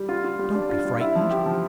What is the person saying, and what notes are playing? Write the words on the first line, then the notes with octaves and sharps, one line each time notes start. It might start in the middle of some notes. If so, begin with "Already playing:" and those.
Don't be frightened.'
Already playing: G3
F4
F4
G3
D4
F4
G3
E4
F3
G4
F3